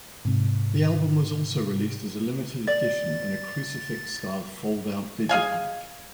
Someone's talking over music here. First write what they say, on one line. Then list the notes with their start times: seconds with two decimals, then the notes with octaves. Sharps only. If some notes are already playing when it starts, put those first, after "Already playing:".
The album was also released as a limited edition in a crucifix-style fold-out digipak.
0.25 G#2 C3
2.67 D5 A6
5.29 G#4 D#5 F5 G#5